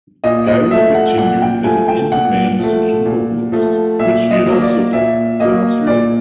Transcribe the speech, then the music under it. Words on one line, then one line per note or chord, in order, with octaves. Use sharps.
Geyer continued as an in-demand session vocalist, which she had also done in Australia.
A#2 D#5
D#5
F3 A3 E5
F#5
A#2 F#5
G5
F3 A3 G#5
G5
A#2 F#5
F3 A3
A#2
F3 A3
A#2 E5
D#5
F#3 A#3
D5
A#2 E5
F#3 A#3 D#5
A#2 D5